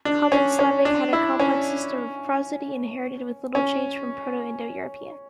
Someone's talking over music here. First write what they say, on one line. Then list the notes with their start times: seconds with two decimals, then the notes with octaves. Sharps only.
Common Slavic had a complex system of prosody, inherited with little change from Proto-Indo-European.
0.05 D4
0.32 C#4
0.59 C#4
0.85 D4
1.13 E4
1.40 C#4
3.55 C#4